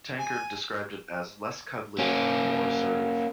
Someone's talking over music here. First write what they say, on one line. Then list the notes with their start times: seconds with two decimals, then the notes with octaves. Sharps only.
Tankard described it as less cuddly, more assertive.
0.18 G#5
1.98 A#3 C#4